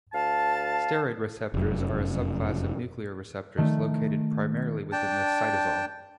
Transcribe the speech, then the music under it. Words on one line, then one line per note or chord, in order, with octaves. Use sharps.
Steroid receptors are a subclass of nuclear receptors located primarily within the cytosol.
D2 F5 A5
F1 F#2
D#3 A3
D4 G5 A5